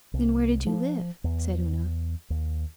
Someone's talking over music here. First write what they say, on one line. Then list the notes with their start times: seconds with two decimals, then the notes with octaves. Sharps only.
'Then where did you live?' said Una.
0.14 C2
0.66 F3
1.24 E2
2.30 D#2